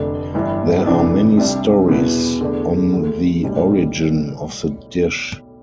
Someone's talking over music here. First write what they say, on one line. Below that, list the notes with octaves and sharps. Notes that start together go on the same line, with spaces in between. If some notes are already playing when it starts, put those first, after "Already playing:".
There are many stories on the origin of the dish.
Already playing: F1 F2 D3 A3 D4
G1 G2 E3 G3 D4
F2 C3 E3 A3 D4
C2 C3 G3 D4
E2 B2 B3 E4
E2 D3 A3 D4
D2 D3 A3
B1 A2 G3 D4